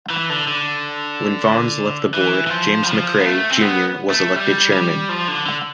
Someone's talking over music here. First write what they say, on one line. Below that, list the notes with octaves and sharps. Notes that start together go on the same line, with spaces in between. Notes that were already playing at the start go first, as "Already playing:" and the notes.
When Vaughns left the board, James McCray, Junior was elected chairman.
E3
D3
D3
E3
E3
F3
G3
F3
B3
A3
C4
B3
A3
G3
G3
F3
D3
D3